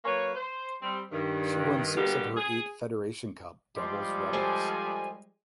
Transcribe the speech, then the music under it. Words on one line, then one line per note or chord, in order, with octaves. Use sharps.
She won six of her eight Federation Cup doubles rubbers.
F#3 A#3 B4 C#5
C5
G3 C4
G2 D#3
B2 D3 G3 A#3 B3 G4
G#4
F3 G3 G#3
G4 A4 C5 G#5